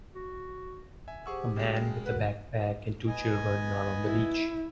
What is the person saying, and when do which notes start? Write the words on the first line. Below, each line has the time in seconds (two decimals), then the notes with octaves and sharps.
A man with a backpack and two children are on the beach.
0.15 F#4
1.08 E5 G#5
1.26 G4 G#4 C5 F#5 C#6 E6
1.56 C#3 G#3 F#4 G5
2.06 F#4 A#4 B4 F#5
3.07 B3 D#5 G#5
4.03 E4